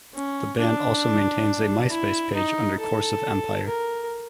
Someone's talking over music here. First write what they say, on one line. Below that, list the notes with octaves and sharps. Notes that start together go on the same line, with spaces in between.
The band also maintains a Myspace page under "Course of Empire".
C#4
D4
E4
D#4
A4
A#4